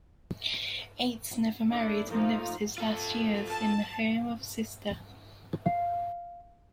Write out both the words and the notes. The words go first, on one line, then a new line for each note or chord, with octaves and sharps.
Eights never married and lived his last years in the home of a sister.
A3 D4 E4
F3 A3 A#3 D#4 F4
F4 A4
A5
F5